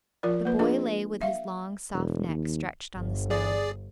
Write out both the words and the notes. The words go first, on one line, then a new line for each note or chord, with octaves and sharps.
The boy lay with his long soft neck stretched on the snow.
F3 F4 A#4 D5
A#3 B4
D4 F4 G#4 B4 D#5
E5 F5
E1
D#2
G1
G#4 D5